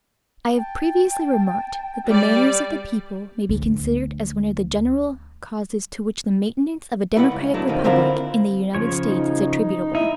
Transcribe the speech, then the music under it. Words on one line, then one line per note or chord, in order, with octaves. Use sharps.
I have previously remarked that the manners of the people may be considered as one of the general causes to which the maintenance of a democratic republic in the United States is attributable.
G5 A5
G3 D5
D2
G3 E4 B4 D#5 F#5
C#2
F#3 A3 B3 D4 E4
D2 C3 D#3 F3
D3 C4 E4 F4 A#4 C5
C#3 F3 C#5
D#4
D#4 E4 D#5